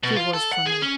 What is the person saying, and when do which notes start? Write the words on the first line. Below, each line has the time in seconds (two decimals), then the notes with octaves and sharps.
She was for me.
0.03 B2
0.16 F4
0.33 A4
0.53 F#5
0.66 G#4
0.82 C#4